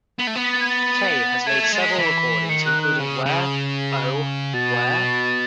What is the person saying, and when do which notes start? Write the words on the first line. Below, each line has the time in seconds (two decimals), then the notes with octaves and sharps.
Kaye has made several recordings, including Where, Oh, Where?
0.19 B3
0.27 A3
0.35 B3
0.44 B6
0.52 A6
0.61 G#6
0.69 A6
1.46 A3 G#6
1.63 G#6
1.72 G#3 A6
1.81 B6
1.98 E3 B6
2.49 D#3 C#7
2.66 F#6
2.83 F#6
3.00 C#3
3.26 C#3
4.54 B2 A6